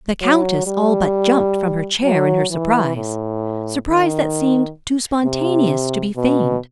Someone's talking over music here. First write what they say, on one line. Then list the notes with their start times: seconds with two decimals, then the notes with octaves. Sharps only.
The Countess all but jumped from her chair in her surprise--surprise that seemed too spontaneous to be feigned.
0.21 F#3
0.67 G3
2.04 F#3
2.51 E3
2.96 A2
3.88 D#3
5.24 C3
6.16 B2